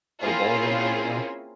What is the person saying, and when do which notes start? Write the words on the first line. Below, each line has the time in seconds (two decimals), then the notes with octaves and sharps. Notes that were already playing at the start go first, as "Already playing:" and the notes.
put a bullet in her, you know?
0.23 A#3 C4 C#4 E4 F4 G#4